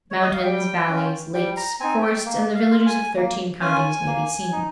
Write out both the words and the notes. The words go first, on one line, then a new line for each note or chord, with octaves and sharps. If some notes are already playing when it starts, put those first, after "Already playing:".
Mountains, valleys, lakes, forests and the villages of thirteen counties may be seen.
C#5
D#5
F5
G3 G5
C#4 F4
G3 G5
A#5
C4 D#4 G#5
G5
A#3
F5
F4
G#5
A#3
C#4 F4 G#5
A#3
D#4